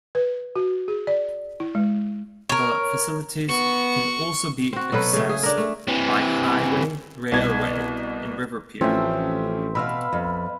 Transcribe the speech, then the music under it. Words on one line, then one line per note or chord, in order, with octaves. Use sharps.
The facilities can also be accessed by highway, railway and river pier.
B4
F#4
G#4
D5
E4
G#3
A#4 C#5
B3 F#4 C#6
C4 F#4
B2 F#3 A4 B4
C#3 A3
G#4
D4 A#4
A3
C3 E3
C2 B2 G#6
A1 E3 F3 A3 C4 C#4 E5
B2 B4 F5 B5 E6 F6
F2